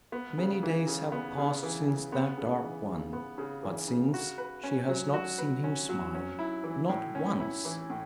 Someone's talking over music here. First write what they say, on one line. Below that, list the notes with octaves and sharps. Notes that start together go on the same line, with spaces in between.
Many days have passed since that dark one; but since, she has not seen him smile--not once!
B3
C#3
E3
C#3
B3
C#3
E3
C#3
B3
C#3
E3
C#3
B3
C#3
E3
C#3
F#4
B4
C#4
F#3
F#4
B4
C#4
F#3
C#4
E4
E3
A2
C#4
E4
E3
A2